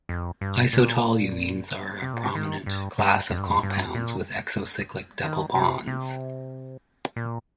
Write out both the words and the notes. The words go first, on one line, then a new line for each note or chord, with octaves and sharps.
Isotoluenes are a prominent class of compounds with exocyclic double bonds.
F2
G2
A#2
C3
A#2
C3
D#3
G2
G2
F2
G2
F2
G2
A#2
D#3
C3
C3
A#2